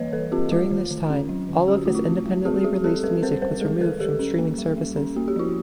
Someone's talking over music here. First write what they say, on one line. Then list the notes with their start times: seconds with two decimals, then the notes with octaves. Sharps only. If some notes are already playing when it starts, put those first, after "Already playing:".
During this time all of his independently released music was removed from streaming services.
Already playing: E3 G3 A#3 B4 C#5 D#5 F5
0.13 E3 A4 B4
0.32 C4 F4 G4
0.51 G#3 F4
0.71 D#3
0.91 D#3
1.10 C#4
1.29 F#3
1.49 D3
1.68 C#4 G4
1.77 F#4
1.86 A3 F4
1.95 E4 F#4
2.07 C4
2.26 G3
2.45 C4 F#4 G#4
2.64 G3 F#4 G#4
2.84 C4 G4 A4
3.03 G3 A4 B4
3.22 C4 A#4 C5
3.42 G3 A#4 C5
3.61 G#3 G#4 A#4
3.81 D#3 A4 B4
4.00 D#3 G4 A4
4.19 C#4
4.39 A#3
4.58 G3
4.78 G3
4.97 C#4
5.16 A#3 F#4
5.28 G4
5.36 F3 E4 F#4